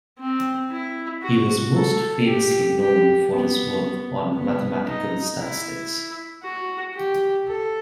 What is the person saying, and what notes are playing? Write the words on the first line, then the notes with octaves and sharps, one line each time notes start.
He was most famously known for his work on mathematical statistics.
C4
E4
F#4
A4
G4
G4
B3
B3
D#4
E4
F#4
G4
A4